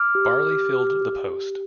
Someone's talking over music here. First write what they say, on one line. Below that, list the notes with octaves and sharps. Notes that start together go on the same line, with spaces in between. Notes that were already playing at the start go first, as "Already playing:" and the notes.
Barley filled the post.
Already playing: D6 F6
G4
G4
G4
G4
G4